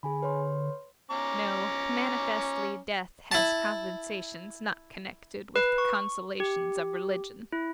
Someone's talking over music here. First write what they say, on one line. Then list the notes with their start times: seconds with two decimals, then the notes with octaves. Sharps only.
No--manifestly death has compensations not connected with the consolations of religion.
0.03 D3 G#4 G#5 B5
0.22 B4 C#5 C6
1.11 C#4 A#5 D6
3.32 E4 A5
5.56 B4
5.78 C#6
6.40 G4
7.53 E4